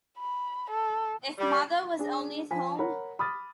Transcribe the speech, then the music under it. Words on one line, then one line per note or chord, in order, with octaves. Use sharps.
If mother was only at home!
B5
A4
G3
D4 G#4
F3 G#5 B5 B6
A#4 C#5 F#5 A#5 B5
B5 D6 D#6 F6 A6